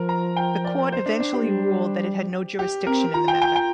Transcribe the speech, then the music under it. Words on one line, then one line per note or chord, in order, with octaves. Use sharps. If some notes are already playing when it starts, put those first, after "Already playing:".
The court eventually ruled that it had no jurisdiction in the matter.
Already playing: F3 A#4
A#5
G5
D5
C5
D4
D4
G4
A#3
G3
G4
C4 A#4
F4 A#5
G5
G5
G5